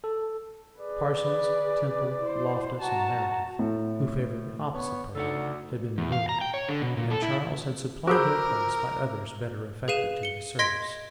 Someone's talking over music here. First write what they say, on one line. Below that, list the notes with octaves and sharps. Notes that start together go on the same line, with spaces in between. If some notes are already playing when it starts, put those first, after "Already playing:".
Parsons, Temple, Loftus, and Meredith, who favored the opposite party, had been removed; and Charles had supplied their place by others better affected to his service.
A4
G#4 B4 D5
E4 C5
F#4 A5 A#5
A2
B3 C#5
D2 C#3 D#4 A4 D5 F#5
E2
F5
A#5
G5
C#5
D3
B2
A#2
A4
E4
F4 F#4 G#4 A#4 C5 D6 E6 G6
G#4 B4 F5 D#7 E7
C#7 G7
D#5 C6 G#6 A#6 B6 D7